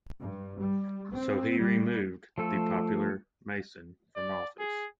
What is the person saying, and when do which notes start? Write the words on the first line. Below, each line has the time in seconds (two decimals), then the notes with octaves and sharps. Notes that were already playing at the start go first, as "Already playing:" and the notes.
So he removed the popular Mason from office.
0.19 G2
0.60 G3
1.11 C4
1.61 G3
2.38 F3 A3 A4
4.16 D5
4.59 G#4